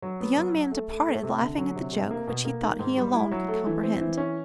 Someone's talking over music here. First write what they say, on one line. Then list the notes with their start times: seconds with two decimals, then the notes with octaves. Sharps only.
The young man departed, laughing at the joke, which he thought he alone could comprehend.
0.02 F#3
0.20 B3
0.37 F#3
0.55 F#3
0.71 A3
0.89 A3
1.07 A3
1.23 C3
1.41 D3
1.58 F#3
1.75 C3
1.93 C3
2.11 A#3
2.27 B2
2.45 A#3
2.62 D#3
2.79 G#2
2.97 G3
3.13 E4
3.31 F#3
3.48 A3
3.67 E3
3.83 C4
4.01 E3
4.17 C#4